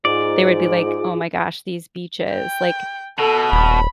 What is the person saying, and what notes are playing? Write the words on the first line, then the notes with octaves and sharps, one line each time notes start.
they would be like, "Oh my gosh, these beaches, like,
G#2 F4 G#4 D5
G5
B2 A4
D#1 B5